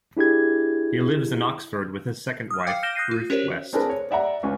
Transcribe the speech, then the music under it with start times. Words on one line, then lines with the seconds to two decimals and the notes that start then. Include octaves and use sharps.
He lives in Oxford with his second wife, Ruth West.
0.17 D4 E4 G4 G#4 G#6
2.51 D#6 F6
2.67 F5 G5 D6 C7 C#7
2.83 F6 G6 A#6 D7 E7 G7
2.95 D#6 F#6 G6 A#6 C7 D#7
3.11 F4
3.30 C#4 F#4 G4 A#4 C5 C#5
3.73 C4 D4 G#4 A#4 B4
3.90 C#5
4.11 D5 E5 F#5 A#5
4.43 C#2 C#4